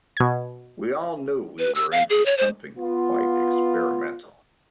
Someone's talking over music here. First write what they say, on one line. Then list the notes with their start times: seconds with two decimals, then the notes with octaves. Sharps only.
We all knew we were in for something quite experimental.
0.17 B2 G#6
1.59 B4
1.75 E6
1.92 F5
2.10 G#4
2.26 C#5
2.38 C5
2.78 B3 F4